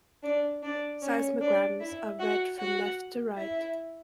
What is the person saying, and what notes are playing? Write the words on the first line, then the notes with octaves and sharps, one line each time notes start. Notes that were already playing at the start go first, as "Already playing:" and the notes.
Seismograms are read from left to right.
D4 D5
D4 D5
C#4 C#5
D4 D5
E4 E5
F#4 F#5
F#4 F#5
E4 E5